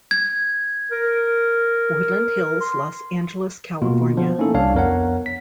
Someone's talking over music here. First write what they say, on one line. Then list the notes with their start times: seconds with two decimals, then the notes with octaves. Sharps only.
Woodland Hills, Los Angeles, California.
0.11 G#6
0.91 A#4
2.60 C6
3.82 B2 A#3 F4
4.17 F3 B3
4.39 A#3 C#4 D#4 E4 A4
4.54 C2 D4 C#5 F5
4.74 F2 B3 A#4 C#5 F#5
5.26 B6